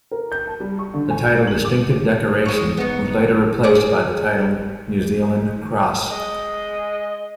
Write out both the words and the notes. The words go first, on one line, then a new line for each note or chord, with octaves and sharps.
The title "Distinctive Decoration" was later replaced by the title New Zealand Cross.
A#4
G6
A5
G3
C#6
D3
G#5
G6
F#7
D6
G#3 C#5
B3 D#4
G#4 C#5 D5
G#3 D#5